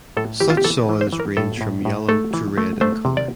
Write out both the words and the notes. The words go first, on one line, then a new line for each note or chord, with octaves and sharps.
Such soils range from yellow to red in colour.
A2 A4
E3 G4
F4
G4
E3 A4
E3
C5
E3
A#4
A2 A4
A2
A2
A3 A4
E3
A3
A3 C5
C3
D5